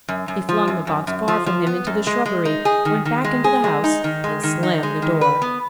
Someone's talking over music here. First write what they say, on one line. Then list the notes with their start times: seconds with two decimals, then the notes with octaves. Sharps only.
He flung the box far from him into the shrubbery, went back into the house, and slammed the door.
0.08 F#2
0.28 F#2
0.49 F3
0.68 F#2
0.87 F#2
1.07 F#2
1.28 F3
1.46 F3
1.67 B3
1.87 F#2
2.07 G#3
2.26 G#3
2.45 D#4
2.65 G#4
2.85 D#3
3.05 D#3
3.24 G#3
3.44 G#4
3.64 G#3
3.84 D#4
4.04 D#3
4.24 G#3
4.43 D#3
4.63 D#4
4.83 G#3
5.02 D#3
5.21 B4
5.42 B3